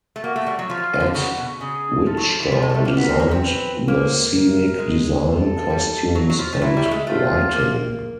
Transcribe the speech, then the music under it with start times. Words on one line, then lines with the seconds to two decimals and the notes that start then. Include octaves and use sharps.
Ed Wittstein designed the scenic design, costumes and lighting.
0.16 A3
0.24 A#3 F#4
0.36 A3
0.47 G3
0.59 F#3
0.70 F3 F4
1.00 D3
1.15 C#3 F#4
1.38 B2
1.60 C#3 G#4
2.06 F3 A4
2.17 F#3
2.28 F3
2.40 E3
2.51 F3 A4
2.62 G#3
2.70 A#3
2.74 A3
2.85 A#3
2.97 B3 A#4
3.09 C4
3.20 C#4
3.31 C4
3.43 B4
3.88 A#3 C5
4.34 A#4
4.79 G#3
5.25 A4
5.70 G3
6.15 F#3
6.30 F#3
6.39 F3
6.53 F3
6.61 F#3 E4
6.77 G3
6.85 A3
6.91 G#3
7.07 A3 F4
7.52 A#3